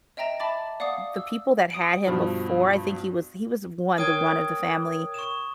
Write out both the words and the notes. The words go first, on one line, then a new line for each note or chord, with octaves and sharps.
the people that had him before I think he was he was one the run of the family,
D#5 E5 G5 A#5 A#6 E7
E5 A5 B5 D6 A6
D5 F5 F#5 D6 D#6
E6
D#6 D7
G2 B2 F3
A#4 C#5 G5 D#6 G#6
C#6 E7